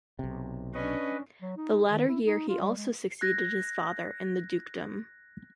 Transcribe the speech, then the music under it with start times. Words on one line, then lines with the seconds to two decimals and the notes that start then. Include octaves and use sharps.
The latter year he also succeeded his father in the dukedom.
0.19 B1 C3
0.74 C#4 D4 B4 D#5
1.42 F#3
1.57 D#4
1.90 D#3
2.08 E4
2.25 D#4
2.48 F4
2.61 G3
2.77 G#3
3.21 F#6 G#6 A#6